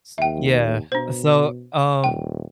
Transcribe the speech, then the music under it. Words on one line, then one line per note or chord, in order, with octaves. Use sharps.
S yeah, so, um,
D#2 E5 G5
B2 D4 C5
D#1 G5